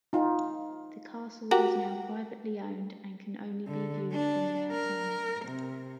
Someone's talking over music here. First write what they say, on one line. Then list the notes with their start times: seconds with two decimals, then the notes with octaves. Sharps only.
The castle is now privately owned and can only be viewed from the outside.
0.13 D#4 F4
1.51 F#4 G4 A#4
3.68 D3
4.12 D4
4.72 A#4
5.45 C3